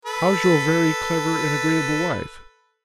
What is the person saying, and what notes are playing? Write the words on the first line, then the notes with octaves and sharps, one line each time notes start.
How's your very clever and agreeable wife?
A4 B4